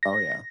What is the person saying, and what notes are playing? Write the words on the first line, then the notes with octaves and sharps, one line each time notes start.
Oh, yeah.
A#6